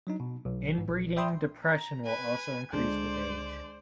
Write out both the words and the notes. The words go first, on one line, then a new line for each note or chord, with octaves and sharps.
Inbreeding depression will also increase with age.
F#3 D4 D#4
B2
B1
G#2 E3
A#1
D5 E5 G5 B5 C6 D#6
A#5
B4 G#5
C#2 D3 G#3 D4 C5 D5